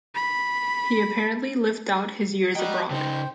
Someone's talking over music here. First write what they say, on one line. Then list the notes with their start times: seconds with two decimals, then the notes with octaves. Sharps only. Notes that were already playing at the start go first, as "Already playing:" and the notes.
He apparently lived out his years abroad.
0.15 B5
2.56 F#4 D5 D#5 G5 A#5
2.90 C#3 D#4 C5 G5